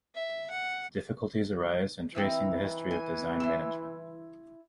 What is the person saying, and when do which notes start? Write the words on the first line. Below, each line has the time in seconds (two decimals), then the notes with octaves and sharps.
Difficulties arise in tracing the history of design management.
0.15 E5
0.50 F#5
2.15 E3 C4 D#4 E4
2.91 G#5
3.40 E4 C6 E6